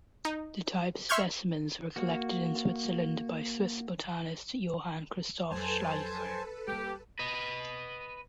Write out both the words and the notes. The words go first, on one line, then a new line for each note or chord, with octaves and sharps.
The type specimens were collected in Switzerland by Swiss botanist Johann Christoph Schleicher.
D#4
E5 C6 C#6 F6 G6 G#6
A#3 F#4
F2 F#3 A4 B4 C5 G#5 A5
G3 A#3 G4
B4 D#5